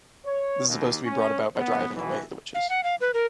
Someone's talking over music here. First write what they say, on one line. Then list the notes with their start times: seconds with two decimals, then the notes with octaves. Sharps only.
This is supposed to be brought about by driving away the witches.
0.25 C#5
0.66 D#2
1.03 C#4
1.56 B3
1.94 B1 B2 E3
2.54 F5
2.69 F#5
2.84 F5
3.01 B4
3.14 A#4